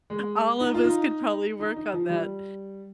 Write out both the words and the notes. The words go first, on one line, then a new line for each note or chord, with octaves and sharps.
all of us could probably work on that.
G#3
D#4
F4
D#4
D#4
D#4
F3
G3